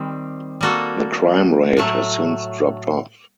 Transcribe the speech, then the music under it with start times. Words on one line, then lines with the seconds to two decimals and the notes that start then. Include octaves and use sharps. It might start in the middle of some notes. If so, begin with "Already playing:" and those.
The crime rate has since dropped off.
Already playing: D#3 G3 C4
0.61 G3 A#3 F#4 A4
1.77 A2 F#3 A3